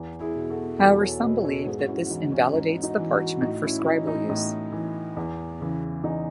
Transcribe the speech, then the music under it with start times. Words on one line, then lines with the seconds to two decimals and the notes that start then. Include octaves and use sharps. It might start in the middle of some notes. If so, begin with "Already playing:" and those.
However, some believe that this invalidates the parchment for scribal use.
Already playing: E2
0.20 E4 G#4
0.35 B2
0.50 F#4 A4
0.79 E2 F#4 A4
1.01 A4 C#5
1.22 B2 B4 D#5
1.44 A4 C#5
1.66 G#2 G#4 B4
1.79 F#4
1.88 C#4 E4
2.10 E3 D#4
2.32 C#4
2.54 G#2 D#4
2.83 D#4 F#4
2.98 E3
3.12 D#4 F#4
3.41 A2 D#4 F#4
3.63 C#4 E4
3.79 E4
3.85 E3 D#4
4.07 D#4
4.29 A2 D#4
4.72 E3
5.17 E2
5.60 C#3 E3
6.04 E2 D#4